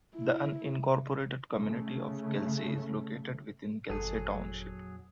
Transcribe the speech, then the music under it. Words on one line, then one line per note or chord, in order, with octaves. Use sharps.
The unincorporated community of Kelsey is located within Kelsey Township.
E4
C#3 A3
G1 F2 A#2 F#3 D4 G#4 A4